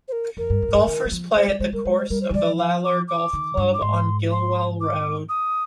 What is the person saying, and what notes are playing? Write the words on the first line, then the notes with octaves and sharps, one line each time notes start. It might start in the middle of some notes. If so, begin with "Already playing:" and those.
Golfers play at the course of the Lalor Golf Club on Gillwell Road.
C5
A#4
F2 A#4
G2
F2
G#2
G2
D#3
G3
F3
G#3 C5
G3 D5
G#3 C5
G3 A#4
G#3 C5
C5
G3 A#4
C5
G3
F3 D5
F5
D6
D6
D#3
G2
D6
G#2 C6
C6
D6
D#6